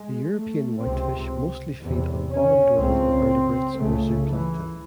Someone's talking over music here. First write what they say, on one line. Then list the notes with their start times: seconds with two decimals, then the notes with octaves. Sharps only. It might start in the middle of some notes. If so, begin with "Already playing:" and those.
The European whitefish mostly feed on bottom-dwelling invertebrates or zooplankton.
Already playing: G#3
0.32 A3
0.81 C#2 C3 C4
1.81 E2 C3
2.30 C#4
2.79 C#2 C#3 C4
3.78 C#2 C#3 A3
4.27 E3